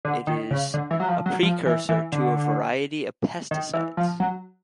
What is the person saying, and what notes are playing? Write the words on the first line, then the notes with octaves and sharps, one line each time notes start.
It is a precursor to a variety of pesticides.
D3
D#3
C#3
D3
E3
F#3
F3
F#3
F3
E3
E3
D3
D#3
E3
F3
F#3